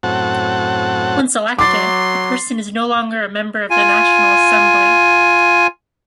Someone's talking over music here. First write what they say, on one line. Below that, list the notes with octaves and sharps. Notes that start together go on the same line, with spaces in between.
Once elected, a person is no longer a member of the national assembly.
F#2 A2 C4 F#4 F#5 A5
F#3 C6 D6 A6
F4 G#5